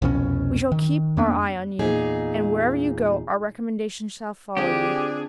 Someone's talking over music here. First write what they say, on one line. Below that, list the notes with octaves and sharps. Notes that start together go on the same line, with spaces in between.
We shall keep our eye on you, and wherever you go, our recommendations shall follow you.
C2 F2 B2 C#4
D#3
F2 A#3 B3 D4
E2 A#2 D#4 G#4
D3 C4 D4 F4 G4 G#4